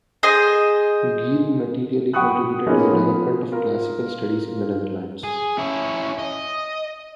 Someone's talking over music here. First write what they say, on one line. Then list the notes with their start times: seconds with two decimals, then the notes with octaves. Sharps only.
Geel materially contributed to the development of classical studies in the Netherlands.
0.23 G#4 C5 D#5
2.13 F#5 G5 B5 C#6 D#6 F#6
2.67 A#3 B3 C#4 D#4 F4 G#4
2.91 F3 B3
3.52 F4 A#4
5.24 G#4
5.58 C#4 E4
6.18 D#5